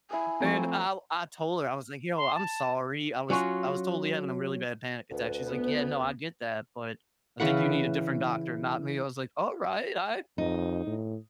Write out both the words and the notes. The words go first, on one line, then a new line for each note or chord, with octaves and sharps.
And I'll I told her, I was like, "Yo, I'm sorry, I was I was totally having a really bad panic attack," she's like, "Yeah, no, I get that, but I think you need a different doctor, not me." I was like, "Alright, I
E4 G#5 E6
F3 A3 C4 A#5 C#6
C6
A5
F#3 C#4 F4 F#4
D2 B4
B3
C#3 E3 B4 F#5
F2 D#4
A2